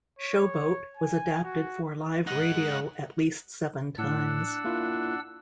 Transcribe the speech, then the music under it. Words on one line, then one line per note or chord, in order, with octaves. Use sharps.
"Show Boat" was adapted for live radio at least seven times.
C#5
G#5
F#4
G#3 D#4 F#5
A2 D4 F#5 E6
A#3 E4 F4